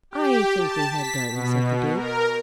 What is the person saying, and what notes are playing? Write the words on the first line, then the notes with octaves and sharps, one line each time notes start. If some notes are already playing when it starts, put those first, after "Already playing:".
"I think we had done," said the Duke.
G4
A5
B6
B2
A#4